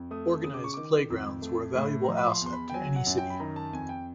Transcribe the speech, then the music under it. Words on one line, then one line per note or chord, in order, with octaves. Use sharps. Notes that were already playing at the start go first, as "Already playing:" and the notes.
Organized playgrounds were a valuable asset to any city.
Already playing: F2
A3 D#6
C#3 D#6
D6
C#6
D#3 D6
F2
A3
A2
F3 A#5
B5
C6
E2
C6
B5
G5
F#3 G#5
F#5
F#2
G5
B5
D#3 A#5
A5
F2 G#5
G5